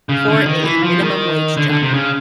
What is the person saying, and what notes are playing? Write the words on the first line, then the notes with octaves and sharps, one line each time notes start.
For a minimum wage job.
C#3
D3
D#3
E3
F3
D#3
D3
D3
C3
C#3